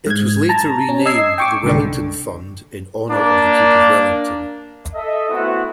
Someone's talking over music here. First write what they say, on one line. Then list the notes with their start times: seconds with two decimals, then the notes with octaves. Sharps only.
It was later renamed the Wellington Fund in honor of the Duke of Wellington.
0.07 G#2 G#6
0.49 A5 A#5
0.89 C#4
1.06 D#5 E6 G#6 C7
1.38 G5 C#6 D6
1.64 C2 G#2 D3
3.10 A#3 D4
4.94 A4 D#5 E5
5.29 A3 B3 C4 E4 F#4